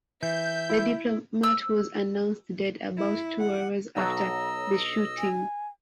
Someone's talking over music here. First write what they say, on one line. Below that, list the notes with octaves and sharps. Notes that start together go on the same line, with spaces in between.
The diplomat was announced dead about two hours after the shooting.
E3 E5 G6
E4
E6
E4
F#5
B1 F#3 A4 D#5 A#5 E6
G#5